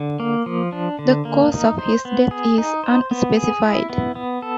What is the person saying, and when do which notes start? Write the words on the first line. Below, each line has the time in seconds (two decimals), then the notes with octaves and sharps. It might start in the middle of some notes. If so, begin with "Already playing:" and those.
The cause of his death is unspecified.
Already playing: D3
0.20 A#3
0.46 F3
0.72 D4
0.99 D3
1.25 A#3
1.52 D#4
1.79 C5
2.05 B3
2.31 G#4
2.58 D#4
2.84 C5
3.11 B3
3.37 G#4
3.64 E4
3.90 B3
4.15 B3
4.42 A4